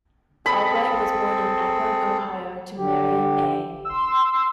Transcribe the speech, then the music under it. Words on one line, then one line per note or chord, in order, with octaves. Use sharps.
Albright was born in Akron, Ohio, to Marion A.
C4 G#4 A4 B5
D3 G4
C6 E6